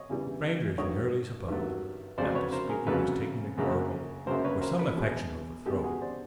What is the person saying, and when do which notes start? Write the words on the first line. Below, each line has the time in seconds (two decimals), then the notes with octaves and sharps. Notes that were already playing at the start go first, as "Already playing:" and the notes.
Strangers merely supposed that the Speaker was taking a gargle for some affection of the throat.
Already playing: C#5 D#5
0.09 E2 C#3 E3 G3
0.78 G2 D#3 F#3 A3 C#5 D#5
1.48 G2 D#3 F#3 A3
2.18 F2 C#3 F#3 A3 C5 D5
2.35 B4 C#5
2.52 A#4 C5
2.70 G#4 A#4
2.87 F2 C#3 F#3 A3 A4 B4
3.58 F#2 C#3 F#3 A#3
4.26 F#2 C#3 F#3 A#3 A#4 C5
4.44 B4 C#5
4.61 A#4 C5
4.79 A4 B4
4.97 E2 B2 G#3
5.66 E2 B2 G#3 G4 A4
5.84 F#4 G#4
6.01 C5 D5